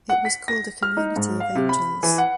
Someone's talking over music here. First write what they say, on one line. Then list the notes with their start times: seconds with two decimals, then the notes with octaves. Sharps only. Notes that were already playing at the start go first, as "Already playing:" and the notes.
It was called "A Community of Angels".
0.10 F#5
0.25 B6
0.48 A#6
0.83 F6
0.97 D#4
1.16 G#2
1.40 F5
1.55 C3
1.69 B5
2.03 E3
2.18 F#5